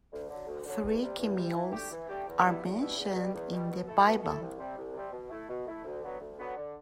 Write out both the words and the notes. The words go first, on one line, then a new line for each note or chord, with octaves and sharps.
Three Kemuels are mentioned in the Bible.
D2
D3 F#3
D2
D3 F#3
E2
C3 G3
E2
C3 G3
E3
A3 D4 G4
E3
A3 D4 G4
E2
B2 G3 B3 E4
E2
B2 G3 B3 E4
E2
B2 G3
E2
B2 G3
B2
A3 E4 A4
B2
A3 E4 A4
C2
C3 G3 C4
C2
C3 G3 C4
B2
A3 E4
B2
A3 E4
D2
D3 F#3 B3
D2
D3 F#3 B3
D3